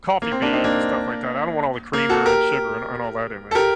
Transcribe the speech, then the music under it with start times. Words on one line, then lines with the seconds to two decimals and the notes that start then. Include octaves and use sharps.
coffee beans and stuff like that. I don't want all the creamer and sugar and and all that in there.
0.22 A#3
0.32 C4
0.42 A#3 D4
0.53 C4 D#4
0.64 A#3 D4
1.93 A#3
2.09 F#4 A4
2.26 G4 A#4
3.51 A4
3.55 G4 A#4